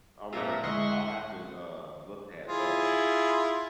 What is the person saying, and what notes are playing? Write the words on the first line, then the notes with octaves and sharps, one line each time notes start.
I'm gonna I'll have to s uh, look that up.
F2 A#2 F4 E5 A#5
D2 G#3 E4 D#5 F#5 C6 C#6
E4 F4 G#4